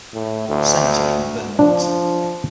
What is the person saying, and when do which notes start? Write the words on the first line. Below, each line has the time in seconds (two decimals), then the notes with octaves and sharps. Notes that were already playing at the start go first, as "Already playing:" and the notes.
Senator from Vermont.
0.14 A2
0.48 D2
1.59 F3 D4